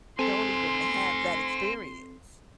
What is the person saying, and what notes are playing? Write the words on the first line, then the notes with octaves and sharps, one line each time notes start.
don't even have that experience.
C4 A4 C5 G#5 C6